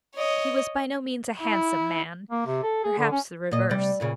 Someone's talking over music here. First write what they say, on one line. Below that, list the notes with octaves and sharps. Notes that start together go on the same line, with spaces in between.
He was by no means a handsome man--perhaps the reverse.
C#5 D#5
E4
A#3
C3
A4
G#4
D3
C#4
A#2 D#5
C3 G3
G2 A#2 C#3